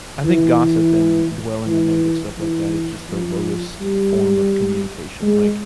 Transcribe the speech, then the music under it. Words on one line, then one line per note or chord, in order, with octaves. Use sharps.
I think gossip and dwelling on negative stuff like that is just the lowest form of communication. Like,
E3
E3
E3
F3
G3
G#3